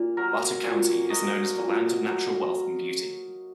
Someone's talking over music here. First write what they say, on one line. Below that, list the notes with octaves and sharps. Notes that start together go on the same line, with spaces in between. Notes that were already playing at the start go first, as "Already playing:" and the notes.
Butte County is known as the Land of Natural Wealth and Beauty.
Already playing: A#2
F#3 A#4
A#2 C#5
F#3 D#5
A#2
F#3